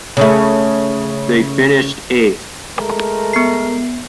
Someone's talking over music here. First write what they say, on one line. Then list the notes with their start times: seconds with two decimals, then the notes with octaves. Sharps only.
They finished eighth.
0.17 C#3 A3
2.78 G#3 A3 A#4
3.33 B3 C7